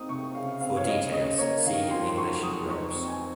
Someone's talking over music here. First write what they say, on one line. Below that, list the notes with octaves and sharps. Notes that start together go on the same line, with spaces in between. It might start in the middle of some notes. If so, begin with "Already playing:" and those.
For details, see English verbs.
Already playing: C4 D#4 D#6
C3 C#6
C#3 F5
C4 F5
C#5
C#3 D#5
C#4 D#5
A#3 C#5
D#3 F5
F2 C6
C6
F#3 C#6
F2 D#6
D#4 C#6
C#6
C4
G#5